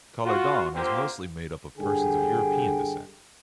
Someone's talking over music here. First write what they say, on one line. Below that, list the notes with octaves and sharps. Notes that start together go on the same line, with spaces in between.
Caledon is mostly made up of persons of European descent.
F4 F#4
D3 A#3 C4 F4 G4 C5
G2 D3 G#4 G5